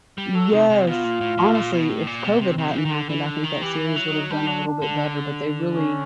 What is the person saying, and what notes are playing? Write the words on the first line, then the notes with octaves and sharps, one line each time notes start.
Yes. Honestly, if COVID hadn't happened, I think that series would have done a little bit better, but they really
G3
F#3 A4
C3 D#4
C3
B2 F4
A#2
A2
A2
A#2
B2
A2
A#2
B2
C3
C3
F3
E3
D#3
D3
E3
D3
D#3
E3 G4
E4
F#3
D#4
G3 D4
F#3
D3
C#4